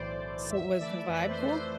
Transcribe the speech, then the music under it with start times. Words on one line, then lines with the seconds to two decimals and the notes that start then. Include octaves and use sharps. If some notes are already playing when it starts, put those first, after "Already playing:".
So was the vibe cool?
Already playing: B1 A2 E3 C5 D5
0.21 A2 E3
0.50 F2 E5
0.75 E5
0.79 E3 A3 D5
1.08 F2 B4
1.28 C5
1.38 E3 A3
1.48 C5